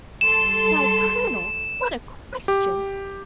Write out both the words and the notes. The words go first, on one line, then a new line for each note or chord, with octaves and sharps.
Why, colonel, what a question!
G3 A4 C6 E7
G4